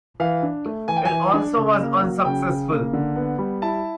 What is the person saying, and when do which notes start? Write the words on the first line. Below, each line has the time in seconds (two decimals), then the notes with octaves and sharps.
It also was unsuccessful.
0.20 E3 F5
0.43 D4
0.65 A3
0.88 E3 G#5
0.96 G5
1.05 G#5
1.11 E3
1.34 D4
1.57 C#3
1.79 A#3
2.02 F#3
2.25 C#3 G5
2.48 C#3
2.71 A#3
2.93 D3
3.16 B3
3.38 G3
3.62 E4 A5